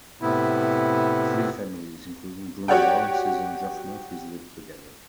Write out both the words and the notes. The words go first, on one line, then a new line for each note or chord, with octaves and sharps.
Three families, including Bruno Lawrence's and Geoff Murphy's, lived together.
A2 C3 B3 E4
F#4 G4 C#5 D5 F#5 G5